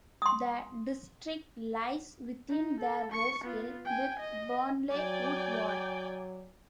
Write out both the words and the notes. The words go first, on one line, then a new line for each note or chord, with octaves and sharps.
The district lies within the Rosehill with Burnley Wood ward.
C6 D#6
D#4
A4
C#6 C#7
B3 F4
G5 G#5
D#5
F#3 D5 G5 G#5